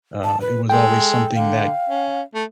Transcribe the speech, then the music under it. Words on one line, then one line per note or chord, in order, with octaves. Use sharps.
uh, it was always something that
A5
B4
G#3 A4 G5
D3 F5
C#4
A3